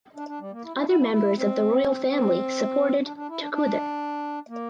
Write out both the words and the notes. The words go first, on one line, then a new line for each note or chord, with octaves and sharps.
Other members of the royal family supported Tekuder.
D4
D4
G3
A#3
E4
E4
E4
E4
E4
C4
C4
D4
D4
E4
D4
D4
A#3